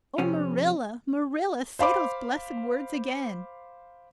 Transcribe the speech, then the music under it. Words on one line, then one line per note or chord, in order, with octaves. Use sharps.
"Oh, Marilla, Marilla, say those blessed words again."
F2 C3 C#4
C5 F5 B5 D6